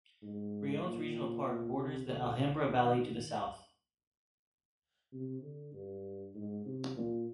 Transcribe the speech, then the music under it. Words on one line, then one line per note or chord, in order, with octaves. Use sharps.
Briones Regional Park borders the Alhambra Valley to the south.
G#2
A#2
A#2
C3
D3
D#3
D#3
C3
D3
G2
G#2
C3
A#2